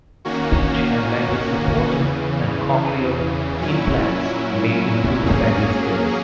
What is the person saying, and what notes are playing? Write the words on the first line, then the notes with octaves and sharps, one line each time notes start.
Speech and language support and cochlear implants may improve language skills.
D#3 A#3 C#4 F#4
E2 C#3 E3
A#2 F#3 C#4 E4
F#3 A#3 C#4 G#4